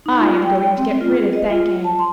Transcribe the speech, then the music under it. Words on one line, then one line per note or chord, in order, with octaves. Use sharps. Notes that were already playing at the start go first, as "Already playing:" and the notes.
'I am going to get rid of Thakane.'
D#4
F4
G5
G5
C4
F4
G#4
D#5
F4
A5
C6